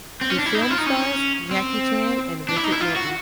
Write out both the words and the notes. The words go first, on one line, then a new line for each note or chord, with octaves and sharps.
The film stars Jackie Chan and Richard Norton.
C4
C#4
D4
E4
D#4
E4
F4
D#4
C#4
C4
D4
E4
D#4
E4
F4
F#4